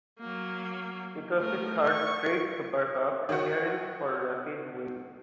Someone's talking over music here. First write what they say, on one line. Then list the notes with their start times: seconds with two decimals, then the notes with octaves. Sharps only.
It was the third straight Supercup appearance for Rapid Wien.
0.19 F#3 A#3
1.38 A3 A#4
1.84 C#6
3.29 D#3 F#4